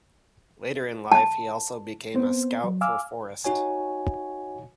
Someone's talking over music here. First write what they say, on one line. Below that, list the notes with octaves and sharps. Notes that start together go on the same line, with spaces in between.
Later in life, he also became a scout for Forest.
A5
B3 C4 C5
F#3
F5 G#5 D6 E6 F6
D#4 F#4 C#5 G#5